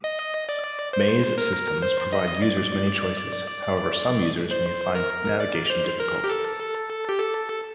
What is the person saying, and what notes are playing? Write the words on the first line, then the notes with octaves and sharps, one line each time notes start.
Maze systems provide users many choices; however, some users may find navigation difficult.
D#5
D5
C5
A#4
C5
D#5
D5
C5
A#4
D5
C5
A#4
G4
A4
G4
A4